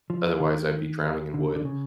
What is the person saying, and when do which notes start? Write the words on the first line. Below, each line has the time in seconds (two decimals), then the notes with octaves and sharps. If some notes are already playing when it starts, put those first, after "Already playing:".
otherwise I'd be drowning in wood.
0.10 F3
0.40 D#3
1.34 D3
1.56 D3
1.65 C#3